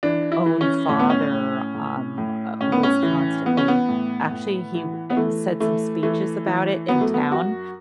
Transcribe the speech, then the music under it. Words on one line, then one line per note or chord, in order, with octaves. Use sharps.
own father, um, uh, was constantly Actually, he, eh, said some speeches about it in town,
E3 D4
E4
E3
C#4
A2 C#4
B3
C#4
A2
A2
A2
A2 C#4
B3
C#4
E3
E3 B3
C#4
B3
A2
A2
E3
B3
E3 A3
E3 A3
E3 A3
E3
F#2 B3
A3
B3
F#2 F#4